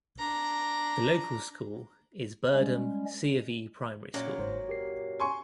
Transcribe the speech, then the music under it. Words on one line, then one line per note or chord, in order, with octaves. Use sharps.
The local school is Birdham C of E Primary School.
D4 A#5
G3 G#3 C#4
F#2 A#2 F#3 C#4
G1 G#2 C5
G4 A#4 C7
G#5 C6 C#6